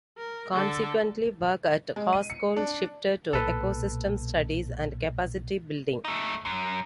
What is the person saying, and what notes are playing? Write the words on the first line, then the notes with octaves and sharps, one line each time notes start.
Consequently, work at Hovsgol shifted to ecosystem studies and capacity building.
A#4
D3 A4
G#3
D#7
C#7
D4
B1 A#2 A4 B4
A3 D#4
F#2